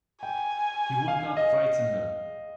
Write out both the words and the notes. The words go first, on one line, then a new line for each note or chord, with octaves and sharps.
He would not frighten her.
G5 G#5
F5
D#5